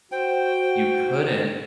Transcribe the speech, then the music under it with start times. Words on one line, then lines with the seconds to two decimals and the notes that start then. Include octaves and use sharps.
you couldn't
0.12 F#4 C5 G5